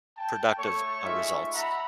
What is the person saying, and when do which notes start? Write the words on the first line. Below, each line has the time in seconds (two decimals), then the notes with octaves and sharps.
productive, uh, results.
0.17 G5 A5
0.59 A3 A4 C#5 C#6
1.04 G#3 D#4 F4 E5 C#6
1.54 E5 F#5 A#5 B5